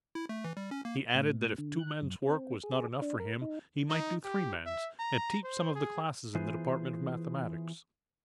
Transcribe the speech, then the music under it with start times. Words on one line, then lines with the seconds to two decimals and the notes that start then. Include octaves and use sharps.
He added that if two men's work was not enough for him, he might do three men's, and teach some of the classes in the Department of Mathematics.
0.15 E4
0.29 A3
0.45 E3
0.57 G3
0.71 C#4
0.85 A#3
1.15 A2
1.58 D3
1.79 F#6
2.02 F#2
2.22 C4
2.63 G#4
3.02 D4
3.20 A#4
3.42 D#4
3.90 D#4
4.24 G4
4.66 E5
4.99 A#5
5.44 C5
5.75 G#4
6.35 E3 B3 F4 G#4 B4 C5